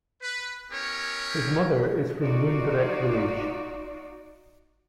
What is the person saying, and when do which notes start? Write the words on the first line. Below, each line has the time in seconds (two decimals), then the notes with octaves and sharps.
His mother is from Lundret village.
0.22 B4
0.71 B3 C#4 E4 G4 A#4 C#5
2.20 D#4 F4 F#4 D5